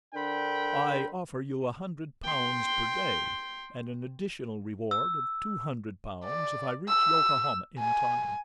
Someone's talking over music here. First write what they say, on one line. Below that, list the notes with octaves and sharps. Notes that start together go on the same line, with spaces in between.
"I offer you a hundred pounds per day, and an additional reward of two hundred pounds if I reach Yokohama in time."
D3 D4 A#4 C5 G5 B5
G5 C6
E6
D5
E6
G#5